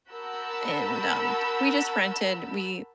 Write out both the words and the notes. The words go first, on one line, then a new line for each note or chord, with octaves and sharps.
and, um, we just rented we
F#4 A#4 A5 B5 E6 G6